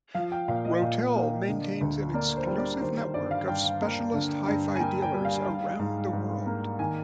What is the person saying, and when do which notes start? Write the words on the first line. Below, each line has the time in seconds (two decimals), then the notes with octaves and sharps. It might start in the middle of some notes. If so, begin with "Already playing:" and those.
Rotel maintains an exclusive network of specialist hi-fi dealers around the world.
0.15 F3 F5
0.32 G5
0.48 A#2 F5
0.65 D#5
0.82 A#2
1.15 A#3
1.48 D3
1.81 D2
2.14 A#3 D5
2.37 C5
2.47 G3
2.58 D5
2.81 D#3 C5
2.97 C5
3.14 G2 D5
3.31 F5
3.47 G2 G5
3.81 A#3
4.14 D3
4.47 G2
4.75 G#5
4.80 A#3 G5
5.02 G5
5.13 G3
5.25 F5
5.47 G3
5.79 G#2
6.13 G#2
6.46 A#3
6.79 D#3 G#5